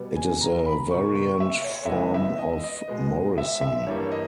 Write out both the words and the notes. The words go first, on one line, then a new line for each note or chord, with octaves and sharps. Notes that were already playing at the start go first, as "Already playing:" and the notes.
It is a variant form of Morrison.
Already playing: B2 G3 B3
G#5
A#5
B5
C#2 B2 A#3 C#6
C#6
E5
C#5
E5
C#2 C#3 E3 G#3 B3 D#5
E5
D#5
D#5
B2 G#3 B3
E5
E5
G2 E3 G3 A#3 C#5
D#5